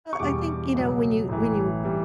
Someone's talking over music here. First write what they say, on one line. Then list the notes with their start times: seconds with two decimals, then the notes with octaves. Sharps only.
Uh, I think, you know, when you when you
0.13 C#6
0.20 E2 B2 G3 D6
0.75 C#2 B2 F#3
1.29 A1 A2 E3
1.84 E3 G3